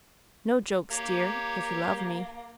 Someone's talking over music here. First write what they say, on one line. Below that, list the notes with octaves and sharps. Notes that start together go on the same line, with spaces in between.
No jokes, dear, if you love me.'
A#3 G4 C#5